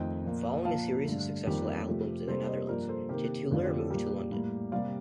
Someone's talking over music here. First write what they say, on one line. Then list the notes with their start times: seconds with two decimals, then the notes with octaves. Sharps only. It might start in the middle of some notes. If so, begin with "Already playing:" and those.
Following a series of successful albums in the Netherlands, Titulaer moved to London.
Already playing: F2 D#3 A3 D#5 G5
0.24 A#2 F3 A#3
0.65 A#2 F3 A#3 F5 A5
1.06 G2 D3 A3
1.47 F2 D#3 G3 A#3 G4 A#4
1.88 C3 F3 A3
2.28 C3 G3 A#3 A4 C5
2.48 C5 D#5
2.69 G2 F3 A#3 A#4 D5
2.89 A4 C5
3.09 C3 D#3 A#3 G4 A#4
3.50 F2 D3 A3 F4
3.66 G4
3.78 A4
3.90 A#2 G3 A#3 G4 A#4
4.31 A2 G3 A#3
4.72 C3 G3 A#3 D5 F5